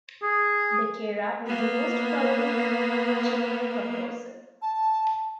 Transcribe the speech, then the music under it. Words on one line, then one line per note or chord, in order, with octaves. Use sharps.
Becerra was the most prolific Chilean composer.
G#4
A#3 B3
A5